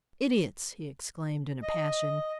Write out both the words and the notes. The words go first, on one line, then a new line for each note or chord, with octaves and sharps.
'Idiots!' he exclaimed, in a passion.
D#5